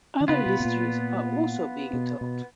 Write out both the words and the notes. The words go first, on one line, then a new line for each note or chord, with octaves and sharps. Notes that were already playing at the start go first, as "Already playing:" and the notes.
Other histories are also being told.
D#3
C#3 B3 F4 B4
B2
B2
A#2
B2
B2